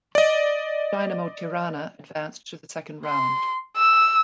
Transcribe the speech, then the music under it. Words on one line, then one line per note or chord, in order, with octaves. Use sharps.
Dinamo Tirana advanced to the second round.
D5 D#5
C6
E6